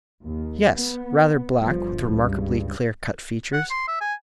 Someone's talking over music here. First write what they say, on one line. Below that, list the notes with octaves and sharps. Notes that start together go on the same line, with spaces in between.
"Yes, rather black, with remarkably clear-cut features."
D#2
B3
G1 F3
C#2 G2
F#5
C6
E5
G#5